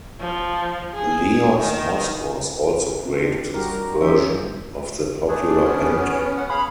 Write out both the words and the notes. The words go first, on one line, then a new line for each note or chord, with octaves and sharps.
Leos Moskos also created his version of the popular painting.
F3
G#4
D#3
C4
D4
G3 F#4 G4 A#4
E3 F3 C#4 C5 E5
A3 D4 G#4
B3 C#4
F#5
G#4 F5 B5